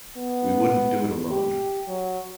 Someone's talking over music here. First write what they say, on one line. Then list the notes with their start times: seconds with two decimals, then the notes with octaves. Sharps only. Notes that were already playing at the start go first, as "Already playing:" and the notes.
We wouldn't do it alone.
0.17 B3
1.31 G4
1.88 F#3